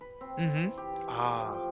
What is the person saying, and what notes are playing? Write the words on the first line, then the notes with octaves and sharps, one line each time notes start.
Mhm, ah.
B4
C4
E3
G4
E4
A3
F3
G5